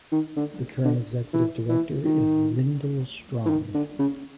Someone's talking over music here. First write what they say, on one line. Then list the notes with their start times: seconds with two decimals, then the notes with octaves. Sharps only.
The current Executive Director is Lyndel Strong.
0.12 D#3
0.36 D3
0.84 D3
1.33 E3
1.69 E3
2.05 D#3
3.45 E3
3.50 D#3
3.74 D3
3.99 C#3